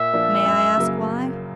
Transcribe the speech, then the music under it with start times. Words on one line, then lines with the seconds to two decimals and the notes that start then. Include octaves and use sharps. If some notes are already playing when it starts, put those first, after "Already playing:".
"May I ask why?"
Already playing: A#2 E5
0.13 F3 A#3 D4
0.45 F#2
0.77 C#3 F#3 A#3